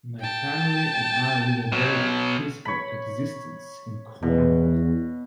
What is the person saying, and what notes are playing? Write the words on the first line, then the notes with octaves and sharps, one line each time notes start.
My family and I lead a very peaceful existence in Cornwall.
G5 A5
B2 F#3
C#5 B5
E2 B2